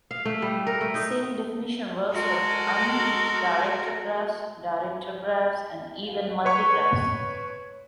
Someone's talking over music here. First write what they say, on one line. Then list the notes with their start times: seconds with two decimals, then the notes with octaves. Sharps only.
The same definition works for undirected graphs, directed graphs, and even multigraphs.
0.11 F5
0.25 A3
0.42 G3
0.67 A#4
0.81 A3
0.94 D#4
2.12 G#3 F#4 A4 A#4
6.45 B4 C#5 C#6